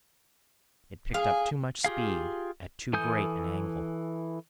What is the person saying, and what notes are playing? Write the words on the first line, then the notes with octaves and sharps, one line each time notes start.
It picked up too much speed at too great an angle.
G#4 F5 G#5
F4 G4 G#4 F5
E3 A4 G#5 D#6 G6